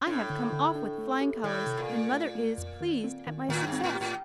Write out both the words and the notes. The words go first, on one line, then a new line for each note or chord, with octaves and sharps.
I have come off with flying colors, and mother is pleased at my success.
A2 D4
D3
D3
D4
A3
G4
A2 D#3
C3
A#2
A3
A3
A3
F2
D#3
C4
D#3
A2 D#3
G2
C4
A2
G4
A2